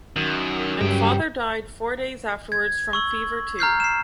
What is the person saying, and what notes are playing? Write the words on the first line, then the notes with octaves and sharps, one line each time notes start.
And father died four days afterwards from fever too.
F#2 D#3
G2 C#3 G4 G5
G#6
C#6 E6 F#7
A#5 F6 G6 C7
C7 E7